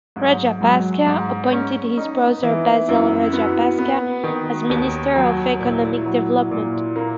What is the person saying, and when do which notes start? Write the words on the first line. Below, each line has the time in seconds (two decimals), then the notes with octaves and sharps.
Rajapaksa appointed his brother Basil Rajapaksa as minister of Economic Development.
0.16 G#2 F#3
0.61 F#3 G#3
1.07 G#2
1.52 C#4
1.97 A#3 D#4
2.27 B3
2.43 E3
2.58 D#4
2.88 F#2 E4
3.23 E4
3.33 B3 F#4
3.79 B3
4.24 D#3
4.70 D#2
5.16 F#3
5.60 A#2 E4
6.06 F#3
6.51 A#2
6.96 A#3